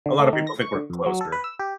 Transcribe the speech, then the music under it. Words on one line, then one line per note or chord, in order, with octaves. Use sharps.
A lotta people think we're closer,
D3
A3
D#3
A#6
C#6
D3
F2
F#3
A4
B4
E6
G4